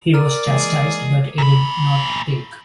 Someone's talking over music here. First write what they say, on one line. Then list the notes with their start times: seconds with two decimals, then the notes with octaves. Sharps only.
He was chastised, but it did not take.
0.14 A#4 D5 A#5 F6
0.47 E3 G#3 A#3 G#4
1.38 A#2 B5